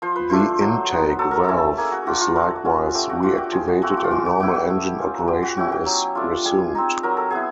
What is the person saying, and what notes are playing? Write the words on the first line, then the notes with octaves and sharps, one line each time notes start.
The intake valve is likewise reactivated and normal engine operation is resumed.
F3 C5
B4
A3 D4 F4 C5
F#3 C5
B3 D#4
F#3 A4
A#4
A3 C#4 E4 A4
A#3 G#4
F#4
D4 F4 F#4
F4
A3 F#4
C#4 F4
A3 G4
F#4
D4 F4 F#4
G4
F3 G#4
F#4
A3 C4 F4 F#4
F#4
F4
G#3 F#4
F#4
B3 E4 F#4
G4
A3
C#4 F4
F#4
G#3 G4
F#4
C#4 E4 F#4
G4
F#3
A3 D4 F4
G3 G#4
C4 D#4
F#3 A#4
A4
B3 E4 G#4